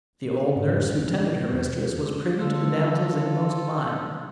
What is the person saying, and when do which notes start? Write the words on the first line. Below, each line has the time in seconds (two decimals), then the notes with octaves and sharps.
The old nurse who tended her mistress was privy to the damsel's inmost mind.
0.56 G#2
0.75 E1
0.91 G#1
1.08 E3
1.52 E2
2.39 D3 G3 D4 F4 A4